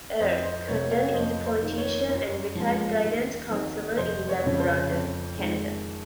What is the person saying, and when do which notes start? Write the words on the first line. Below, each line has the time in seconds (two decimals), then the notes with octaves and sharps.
"Ern" Condon is a politician and retired guidance counsellor in Labrador, Canada.
0.20 F2 C5 D#5
0.45 C5
0.68 C3 F#3 A#3 C#5
0.91 C#5 F5
1.14 F2 C5 D#5
1.46 C5
1.62 D#3 A#3
1.78 C#5
2.09 F#2
2.55 F3 G#3
3.03 D#2
3.50 D#3 F#3 C4
3.97 F1 C5 D#5
4.29 C#5
4.43 F2 C#3 F3
4.60 C5
4.91 F2
5.38 D#3 G#3